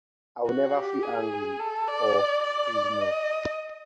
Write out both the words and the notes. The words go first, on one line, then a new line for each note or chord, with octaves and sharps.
I never feel angry or prisoner.
F#4
G4
G#4
A4
D5
D5
D#5